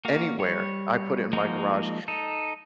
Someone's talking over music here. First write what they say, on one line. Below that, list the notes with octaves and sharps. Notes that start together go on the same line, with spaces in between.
anywhere- I put it in my garage-
A#3 F#4 F5
G3 C#5
F3 G#3 A#3 D#4 F#4
D#4 A4